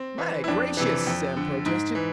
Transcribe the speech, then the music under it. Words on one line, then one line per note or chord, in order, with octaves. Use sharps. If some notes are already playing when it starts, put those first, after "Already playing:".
"My gracious!" Sam protested.
Already playing: C4
E3
E4
F2 D4
C3 E3
F2
D3
G#2
E3